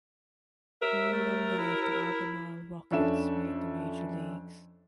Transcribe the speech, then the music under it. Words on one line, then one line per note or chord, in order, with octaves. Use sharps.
No alumni of the Albemarle Rockets made the major leagues.
A#4 E5
A3
E4
F2 C#4 D4 A4 E5 E7